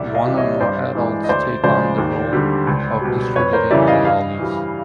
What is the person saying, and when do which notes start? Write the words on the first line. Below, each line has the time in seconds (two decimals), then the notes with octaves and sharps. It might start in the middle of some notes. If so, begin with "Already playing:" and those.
One or more adults take on the role of distributing the lollies.
Already playing: C2 D5 E5
0.14 D#5 F5
0.26 C3 E3 G3
0.37 C#5 D#5
0.60 G2 C5 D5
0.95 E3 G#3
1.24 D#5
1.29 D2 C5 D5
1.64 C#3 F3 G#3 C5 D5
1.98 D#2
2.33 D3 G3
2.67 C#2
3.01 B2 G3
3.36 F2 B4 C#5
3.53 A#4 C5
3.71 C#3 E3 G3 D5 E5
3.87 D#5 F5
4.05 G2 D#5 F5
4.40 E3 G3